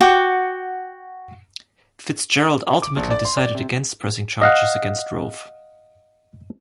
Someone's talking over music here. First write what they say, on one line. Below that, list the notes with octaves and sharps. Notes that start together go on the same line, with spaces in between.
Fitzgerald ultimately decided against pressing charges against Rove.
F#4 F#5 G5 D6
D6
A#1
D5
C6
D5
C3
D#5 F5 F#5